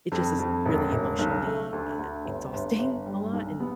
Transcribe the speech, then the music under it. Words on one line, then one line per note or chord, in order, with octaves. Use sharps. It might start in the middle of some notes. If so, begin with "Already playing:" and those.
It just is really emotionally, uh, exhausting a lot, and,
F2
F2
E1
E1
B1
A3
D2
D2
G1
G1
G1
G3
B1
B3